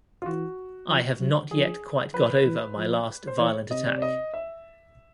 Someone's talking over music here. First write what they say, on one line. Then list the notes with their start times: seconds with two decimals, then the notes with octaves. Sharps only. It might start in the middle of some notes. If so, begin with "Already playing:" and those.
I have not yet quite got over my last violent attack.
0.22 F4
0.26 E3 F#4
0.89 F3
1.20 F#3
1.51 F3 G#4
2.14 F3 B4
2.45 E3
2.77 F3
3.27 C5
3.39 E3 C#5
3.71 C3 D#5
3.86 D5
3.98 D5
4.02 D#5
4.34 E5